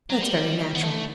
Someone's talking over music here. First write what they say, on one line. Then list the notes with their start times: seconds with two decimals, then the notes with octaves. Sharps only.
That's very natural.
0.10 F#3
0.21 G3
0.75 B3
0.84 A3